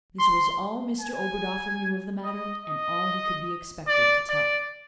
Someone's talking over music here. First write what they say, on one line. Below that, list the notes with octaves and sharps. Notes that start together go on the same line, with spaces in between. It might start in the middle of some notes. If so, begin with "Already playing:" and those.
This was all Mr Oberdoffer knew of the matter; and all he could be expected to tell.
C6
G#5
D#5
D#5
D5
D5